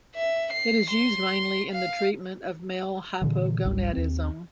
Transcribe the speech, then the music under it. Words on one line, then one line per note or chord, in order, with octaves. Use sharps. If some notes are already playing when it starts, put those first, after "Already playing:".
It is used mainly in the treatment of male hypogonadism.
E5
C7
C6
F5
A#2 D3 E3
G#1 C#2 G#2 G3
D#2 C4